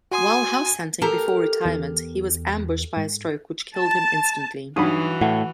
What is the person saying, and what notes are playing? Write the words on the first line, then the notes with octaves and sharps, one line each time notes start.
While house-hunting before retirement he was 'ambushed by a stroke which killed him instantly'.
F#4 G#5 C6 D#6
G4 A4 A#4
E2
G#2
A5
G2 E3 F#3 D#4 F#4 B5 D#6 D#7
A2 F#5